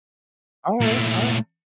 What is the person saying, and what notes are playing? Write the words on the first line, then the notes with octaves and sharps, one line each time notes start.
Alright, alright.
A#2 A3